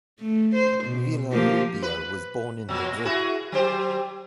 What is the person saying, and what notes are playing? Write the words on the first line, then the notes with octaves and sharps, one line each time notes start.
Villarrubia was born in Madrid.
A3
C5
B2
F3 A#3 G4
B4
A#2 F#3
A#2
E4 F#4 G#4
F#3 G4 C5